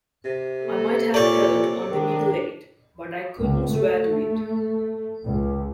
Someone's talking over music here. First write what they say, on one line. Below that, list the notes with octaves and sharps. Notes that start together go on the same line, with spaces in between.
I might have helped on the middle eight, but I couldn't swear to it.
C3
A#3 A4
A#2 C#5 D5
D#3 D4
C#2
A3
C#2